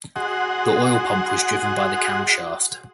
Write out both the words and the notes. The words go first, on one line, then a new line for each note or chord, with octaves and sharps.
The oil pump was driven by the camshaft.
F#4 G#4 D#5 F#5 C6